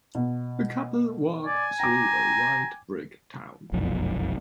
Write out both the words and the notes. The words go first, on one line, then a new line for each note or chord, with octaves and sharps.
A couple walk through a white brick town.
B2
D5 G#5
G5 A#5 D6
F1 B1 F#2 F3